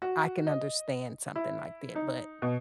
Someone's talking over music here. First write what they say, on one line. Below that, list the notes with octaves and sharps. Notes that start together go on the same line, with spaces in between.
I can understand something like that, but
F#4
D#5
E4
D#4
B2